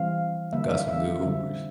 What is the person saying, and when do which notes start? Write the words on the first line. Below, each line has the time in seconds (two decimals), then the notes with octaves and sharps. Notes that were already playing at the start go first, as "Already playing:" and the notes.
Got some good hoopers.
Already playing: E3 G3 C4 F5
0.53 D3 G3 A#3 E5
0.65 E5
0.76 F5
0.88 E5
1.22 D3 G3 C4 E5